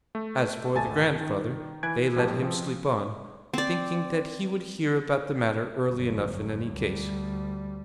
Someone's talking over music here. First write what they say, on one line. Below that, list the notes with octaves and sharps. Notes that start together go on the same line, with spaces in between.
As for the grandfather, they let him sleep on, thinking that he would hear about the matter early enough in any case.
A3
G#1 C#2 A3 G#5 A5 A6
D#3
E3 B4 G#5 F#6 G#6 D7
A#1 A2 F#3 G4 A5
C#3 F3 C4
C4 D5
G1 F#2
D2 G3